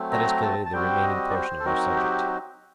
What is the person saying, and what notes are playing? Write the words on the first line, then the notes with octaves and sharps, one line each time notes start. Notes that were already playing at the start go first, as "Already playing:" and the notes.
That is clearly the remaining portion of our subject.
Already playing: F#3 A3 C4
A#5
A5
A5
G3 C4 F#4 G5
D#5
D5
C5
A4
F#3 C4 D#4 F#4 A#4
G4